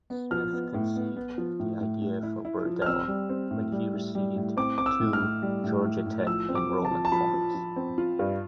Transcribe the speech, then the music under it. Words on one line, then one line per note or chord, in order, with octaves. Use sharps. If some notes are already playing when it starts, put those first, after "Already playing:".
Smith conceived the idea for Burdell when he received two Georgia Tech enrollment forms.
B3
F3 F6
B3
A2
B3
B3
F3
A2
A2
A2
E4
E4
F3
F6
C4 E6
G3
C4
A2
G3
A2
G3
A2
C4 D6
C4 D6
E6
A2
F6
A2
G3
A2
A2
A2
F3 E6
C4
D6
C4
A5
F3
A5
F3 B5
F3
F3
C4
F4
G2